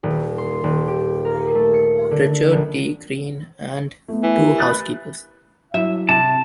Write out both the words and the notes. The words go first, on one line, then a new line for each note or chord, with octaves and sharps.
Richard T. Crean, and two housekeepers.
D#1
C6
D#1
G4
A#4
A3
C#7
D3
A#1
A3 B3
E3
G4 A#4
B5 F#6 A6
F#3 E4 E5
C3 A5